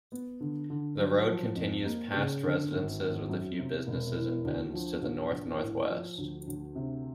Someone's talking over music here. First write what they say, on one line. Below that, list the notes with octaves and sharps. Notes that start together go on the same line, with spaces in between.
The road continues past residences with a few businesses and bends to the north-northwest.
B3
D3
D3
F#3
F3
F2
A#3
C#3
D3
G#1
G#1
F#2
C3
E1
E3
D2
F3
A#1
A#1
A2
F3
D2
D2
C3